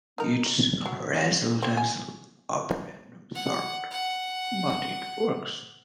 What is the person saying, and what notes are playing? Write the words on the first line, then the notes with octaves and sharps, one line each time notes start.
It's razzle-dazzle of a random sort, but it works.
D#4 A#4
F#3
C4
G#5
F#5
F#5